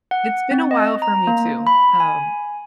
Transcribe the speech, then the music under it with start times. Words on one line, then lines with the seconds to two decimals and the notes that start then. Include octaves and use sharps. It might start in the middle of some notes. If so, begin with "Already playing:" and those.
it's been a while for me too, um,
0.11 F#5
0.51 C4
0.71 D#5
1.02 A#5
1.27 A#3
1.67 B5
2.00 G#5